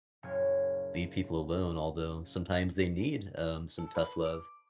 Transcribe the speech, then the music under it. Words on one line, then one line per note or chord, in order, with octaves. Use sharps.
leave people alone. Although sometimes they need, um, some tough love.
F#1 A#2 C#5 G#6 D#7
A4
B4
D6